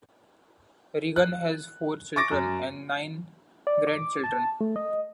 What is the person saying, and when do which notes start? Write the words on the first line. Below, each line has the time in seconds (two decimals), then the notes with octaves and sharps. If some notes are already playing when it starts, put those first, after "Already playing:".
Regan had four children and nine grandchildren.
1.16 F#6
2.16 C#6 D6 A6 A#6 D7
2.31 F#2
3.67 D5
3.87 D6
4.24 A5
4.61 A3
4.76 D#5